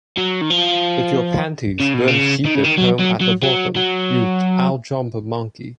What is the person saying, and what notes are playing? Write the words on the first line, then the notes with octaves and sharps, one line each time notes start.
If your panties weren't sheeted home at the bottom, you'd outjump a monkey.
F#3
D#3
F3
C#3
B2
C#3
D#3
C#3
D#3
F#3
F#3
F#3
F#3
F#3